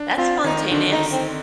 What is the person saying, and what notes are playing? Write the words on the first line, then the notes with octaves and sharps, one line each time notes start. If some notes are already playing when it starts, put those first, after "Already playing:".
that's spontaneous.
Already playing: D4
C4 F4
D#3 D#4
D3 D4
D#4
C4